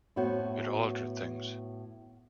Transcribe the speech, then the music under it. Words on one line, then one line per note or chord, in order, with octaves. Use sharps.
It altered things.
A2 B3 F#4 C5 C#5